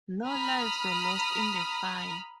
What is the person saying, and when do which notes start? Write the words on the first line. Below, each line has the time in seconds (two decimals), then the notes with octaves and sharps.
No lives were lost in the fire.
0.26 A#5 B5 D#6 F6